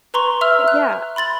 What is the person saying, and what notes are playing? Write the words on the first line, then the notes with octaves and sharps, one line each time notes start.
but, yeah
B4 A#5 C6 C#6
E5 E6 F6 F7
F#6
B5 C6 A6 F#7